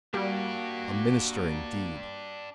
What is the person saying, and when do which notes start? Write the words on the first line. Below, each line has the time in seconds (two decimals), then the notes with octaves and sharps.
"A minister indeed!"
0.14 G3 A#3 D4 F#4 G4